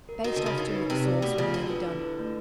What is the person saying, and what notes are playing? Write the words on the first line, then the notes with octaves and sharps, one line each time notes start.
Baste often with the sauce when nearly done.
A#4
D#3 F#4
D3 D#5
C#3
C#3 D#4
B4
C3 G4
D5
B2 A3
C#3 F4
D3 D4
B4
E4
B4
A3